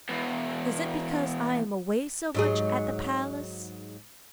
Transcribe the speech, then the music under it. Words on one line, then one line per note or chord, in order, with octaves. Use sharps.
"Is it because I am away so much at the palace?"
E2 B2
G#2 F#3 G#4